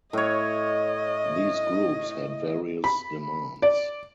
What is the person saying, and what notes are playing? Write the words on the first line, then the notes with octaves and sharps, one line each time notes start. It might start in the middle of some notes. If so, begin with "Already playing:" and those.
These groups had various demands.
A2 C#5 D#5
B5
D5